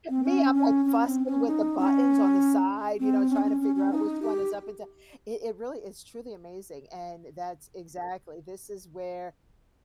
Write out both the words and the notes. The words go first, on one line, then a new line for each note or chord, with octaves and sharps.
Me, I'm like fussing with the buttons on the side, you know, trying to figure out which one is up and down. It it really is truly amazing, and that's exactly this is where
C4
C#4
C#4
C#4
C4
C#4
D#4
C#4
C4
C#4
C#4
C#4
C#4
D#4
G4